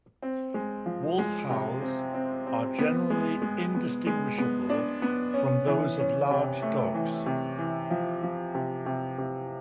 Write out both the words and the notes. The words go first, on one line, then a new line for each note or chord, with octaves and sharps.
Wolf howls are generally indistinguishable from those of large dogs.
C4
G#3
F3
G#3
C3
C4
C4
C4
B3
G#3
G#3
B3
G#3
B3
D4
B3
C#4
E3
C#4
C3
A3
E3
C3
E3
F3
F3
C3
C3
C3